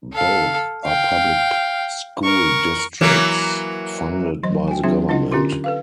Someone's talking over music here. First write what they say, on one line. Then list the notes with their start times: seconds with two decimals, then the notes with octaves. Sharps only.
Both are public school districts, funded by the government.
0.12 A4 F5
0.85 F5 G5
2.23 A#4 C#6
3.01 E3 F#3 A#3
4.43 E3 F#3 D#5
4.68 G5 G#5
4.83 F#3 C4 D4 F4 G#4 E5
5.09 D4 E4 F4 D#5 F#5
5.32 D3 C#4 F4 G4 C6
5.64 A4 B4 F5